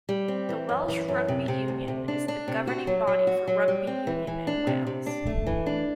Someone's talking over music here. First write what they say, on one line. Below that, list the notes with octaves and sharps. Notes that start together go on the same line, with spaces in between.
The Welsh Rugby Union is the governing body for rugby union in Wales.
G3
C4
E3
F#2
E3
F#2
C3
C3
D2
C3
D4
D4
C3
F#4
F#3
F#3
F#4
F#3
G3
C4
E3
E3
D4
C3
C3
D4
A3
E3
D4